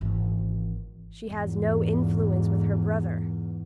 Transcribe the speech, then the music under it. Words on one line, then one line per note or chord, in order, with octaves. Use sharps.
"She has no influence with her brother."
G#1 E3
E2 G#2